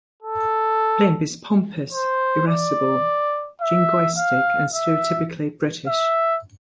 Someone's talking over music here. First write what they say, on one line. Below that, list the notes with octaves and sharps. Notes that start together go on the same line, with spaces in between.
Blimp is pompous, irascible, jingoistic, and stereotypically British.
A4
C5
D5
E5
F5
E5
E5